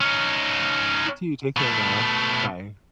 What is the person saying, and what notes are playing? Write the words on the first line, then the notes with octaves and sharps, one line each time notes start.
You too, take care now, bye.
C#4 D#4
B2 A3